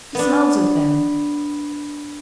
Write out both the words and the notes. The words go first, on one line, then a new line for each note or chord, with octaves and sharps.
He smiles at them.
B3 D4